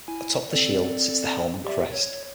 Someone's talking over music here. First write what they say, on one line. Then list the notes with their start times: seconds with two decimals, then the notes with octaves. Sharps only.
Atop the shield sits the helm and crest.
0.08 E4 G#5
0.52 C4 A4 D5
1.65 G4 D5 E5
1.92 C#5